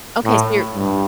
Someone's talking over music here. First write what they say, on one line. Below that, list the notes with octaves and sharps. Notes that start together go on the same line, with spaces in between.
Okay, so your
A2
G2